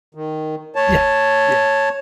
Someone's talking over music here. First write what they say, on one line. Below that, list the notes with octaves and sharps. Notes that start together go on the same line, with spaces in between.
Yeah, yeah,
D#3
C#5 A5